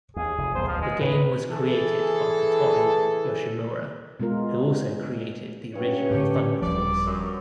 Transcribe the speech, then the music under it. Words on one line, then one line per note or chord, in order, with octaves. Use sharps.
The game was created by Kotori Yoshimura, who also created the original "Thunder Force".
D#2 G#4
F1
D1 B1 A#2 C5
F3
D#3 G#3
A2 D#3 B4
E3 G#4 A4
B2 G#3 F4 A#4
G2 F#3 C#4 C#5 F#5
A2 D3 G4
D#1 C2 F3 G3 D5
F#2